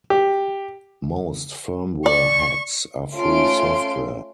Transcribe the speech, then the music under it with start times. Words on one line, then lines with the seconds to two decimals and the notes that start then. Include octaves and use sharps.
Most firmware hacks are free software.
0.10 G4
2.06 D5 C#6
3.14 A3 C#4 F4 C6 D7